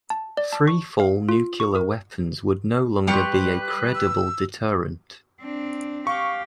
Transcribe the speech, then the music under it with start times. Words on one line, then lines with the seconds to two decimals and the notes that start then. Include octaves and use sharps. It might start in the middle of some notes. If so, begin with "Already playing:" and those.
Free-fall nuclear weapons would no longer be a credible deterrent.
0.10 A5
0.37 D5
0.52 A5
0.68 C#6
1.00 F5
1.29 F4
1.60 C#6
1.75 A#4
3.07 G3 G4 B4 C6 C#6
3.95 E6
5.41 C4 D4
6.07 G4 F5 C#6